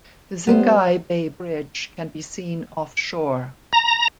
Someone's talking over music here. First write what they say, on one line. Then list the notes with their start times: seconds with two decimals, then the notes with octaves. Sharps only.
The Xinghai Bay Bridge can be seen offshore.
0.47 G3 B3 B4 C5
3.73 A#5